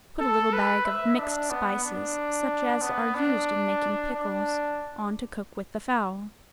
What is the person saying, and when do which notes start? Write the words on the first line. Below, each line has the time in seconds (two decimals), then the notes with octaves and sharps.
Put a little bag of "mixed spices," such as are used in making pickles, on to cook with the fowl.
0.19 A4
0.53 B4
0.85 E5
1.18 D4
1.50 B3
1.84 D4
2.81 B3
3.15 D4
4.14 D4